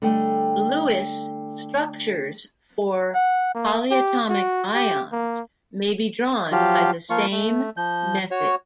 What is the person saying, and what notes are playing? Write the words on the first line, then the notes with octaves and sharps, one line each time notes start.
Lewis structures for polyatomic ions may be drawn by the same method.
D3 G3 A3 A4 D#5 G5
F#5
A#3
G4
F#4
G4
A#3
F3 F#3 F4 G4
F3 A#3 F4 C#6
A3
F3 G6
F#4 C#5